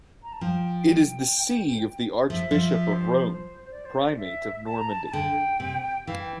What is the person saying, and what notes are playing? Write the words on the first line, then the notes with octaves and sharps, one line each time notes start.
It is the see of the Archbishop of Rouen, Primate of Normandy.
A#5
A5
F3 G5
F3 E5
F3
E5
C5
C5
D5
C5
D5
E5
A5
A#5
A5
A5
D3 G5
C3
E3 F5
G5